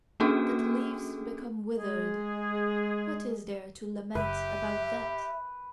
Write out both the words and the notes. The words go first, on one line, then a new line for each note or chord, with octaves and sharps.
That leaves become withered,--what is there to lament about that!
A#3 C#4 D4 F#4 G#4 A4
G#3 G#4
F#1 G4 B4 E5